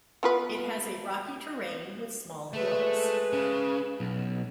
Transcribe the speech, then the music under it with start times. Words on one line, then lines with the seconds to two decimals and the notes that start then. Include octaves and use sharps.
It has a rocky terrain with small hills.
0.23 B3 F4 B4
2.53 G#3 A3 B4
3.33 C#3
4.00 B1